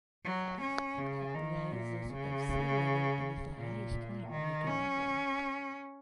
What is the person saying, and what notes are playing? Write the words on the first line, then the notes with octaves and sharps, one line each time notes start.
It rises above sea level and is the highest point in Nicaragua.
F#3
C#4
C#3
D#3
A#2
C#3
A#2
D#3
C#4